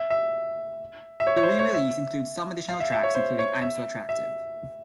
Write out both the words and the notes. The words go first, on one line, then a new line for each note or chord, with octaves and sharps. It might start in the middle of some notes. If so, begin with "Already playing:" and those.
The re-release includes some additional tracks including "I'm So Attractive".
Already playing: E5
E5
E5
C#5
C#5
C5
C#5
E5
F5
E5
E5
C#5
C5
C#5
E5
E5